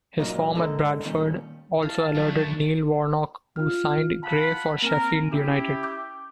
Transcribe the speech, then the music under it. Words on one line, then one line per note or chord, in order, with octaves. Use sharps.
His form at Bradford also alerted Neil Warnock who signed Gray for Sheffield United.
F#2 A#2 F#3 A#3 D#4
G#2 D3 A4 A#4 D#5
D#2 A#2 D#3 G3 C#4
E4 F5 A5
F3 F#3 A3 D4 D5
F4 F6
F4 F#5 A5 B5
A#3 C4 A#4 G#5
C#4 E4 G4
D6 G6